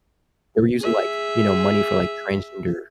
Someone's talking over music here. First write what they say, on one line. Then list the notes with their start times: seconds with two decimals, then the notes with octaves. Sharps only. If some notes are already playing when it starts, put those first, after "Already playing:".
they were using, like, you know, money for, like, transgender
0.81 G#4 E5